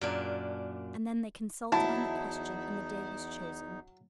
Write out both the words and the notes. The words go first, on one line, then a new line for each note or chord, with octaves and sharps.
And then they consulted on the question, and the day was chosen.
F#2 A#2 D4
E2 F#3 D#4 E4 A5